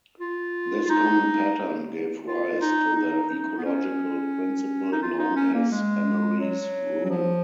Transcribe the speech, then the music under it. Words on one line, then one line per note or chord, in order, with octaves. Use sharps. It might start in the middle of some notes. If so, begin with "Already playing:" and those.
This common pattern gave rise to the ecological principle known as "Emery's Rule".
F4
F4
D#4
F4
D#4
D#4
D#4
B3
C#4
D#4
F4
D#4
C#4
A#3
G#3
F#3
F#3
F3